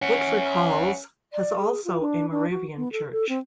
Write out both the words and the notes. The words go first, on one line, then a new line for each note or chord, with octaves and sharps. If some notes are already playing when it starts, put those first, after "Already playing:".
Woodford Halse has also a Moravian Church.
C#4 E5 F#5
D5
G#4
F4
D4
D4
F#4
B3
A4
A4
C4